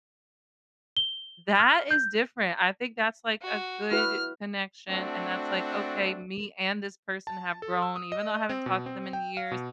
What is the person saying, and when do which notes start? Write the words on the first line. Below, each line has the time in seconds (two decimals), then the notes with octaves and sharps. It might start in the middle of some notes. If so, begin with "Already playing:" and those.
That is different. I think that's, like, a good connection, and that's like, "Okay, me and this person have grown, even though I haven't talked to them in years,
0.97 G7
1.59 F6
1.91 G6
3.42 F#4
3.92 E4 F#4 B4 F6
4.89 A3 C4 D4 F#4
7.27 A5
7.62 A4
7.82 E6
7.96 D#6
8.12 D#5
8.49 C4
8.66 B2
8.86 C4
9.13 G5
9.37 F5
9.51 B2